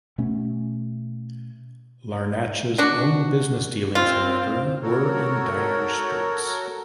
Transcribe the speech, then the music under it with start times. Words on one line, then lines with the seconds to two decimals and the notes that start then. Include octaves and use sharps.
Larnach's own business dealings, however, were in dire straits.
0.18 B2 A3 B3 C#4
2.78 D4 F#4
3.95 C4 F4
4.82 F#4 A4 A#4 C#5